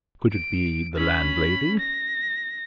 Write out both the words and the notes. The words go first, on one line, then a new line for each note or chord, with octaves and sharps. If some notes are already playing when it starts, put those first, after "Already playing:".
Could it be the landlady?
D7
C#4 B5
A#6